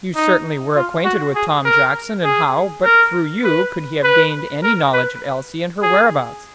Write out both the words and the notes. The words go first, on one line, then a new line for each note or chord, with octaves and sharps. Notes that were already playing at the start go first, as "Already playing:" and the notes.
"You certainly were acquainted with Tom Jackson, and how, but through you, could he have gained any knowledge of Elsie and her whereabouts?"
D#4
F4
F#4
G#4
A#4
G#4
A#4
B4
B4
A#4
B4
G#4